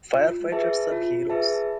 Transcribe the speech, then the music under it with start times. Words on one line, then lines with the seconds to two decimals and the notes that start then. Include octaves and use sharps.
Firefighters are heroes.
0.14 F4
0.52 G#4 B4 E5 A5
0.92 F4
1.30 G#4 B4 E5 A5